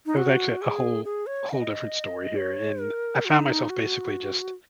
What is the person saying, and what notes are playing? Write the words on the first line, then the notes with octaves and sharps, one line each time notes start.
it was actually a whole whole different story here, and I found myself basically just
D#4
F#4
G#4
G#4
C#5
F#5
D#5
C#5
A#4
F#4
D#4
F#4